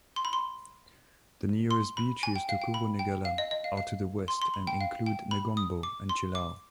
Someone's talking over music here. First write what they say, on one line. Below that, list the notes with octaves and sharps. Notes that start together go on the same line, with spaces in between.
The nearest beaches to Kurunegala are to the west and include Negombo and Chilaw.
C6
B5
C6
C6
B5
G#5
G5
F5
G5
B5
G5
F5
D#5
D#5
F5
F5
C6
C6
B5
G5
F5
G5
B5
D#6
D6
C6
D6